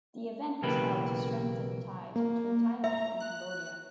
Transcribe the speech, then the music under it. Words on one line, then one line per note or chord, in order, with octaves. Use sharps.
The event was held to strengthen ties between Thailand and Cambodia.
B1 C#3 E3 A#3 G4 B4
A#3
E5 A#5
F#6